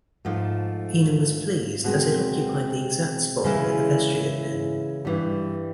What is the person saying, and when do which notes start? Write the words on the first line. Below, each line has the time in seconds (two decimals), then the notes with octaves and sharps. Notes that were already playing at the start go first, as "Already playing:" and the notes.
Ena was pleased as it occupied the exact spot where the vestry had been.
0.25 G#2 F3 A3
1.84 B2 G#3 C4
3.44 C#3 E3 G#3 C#4 E4
5.05 G2 E3 G3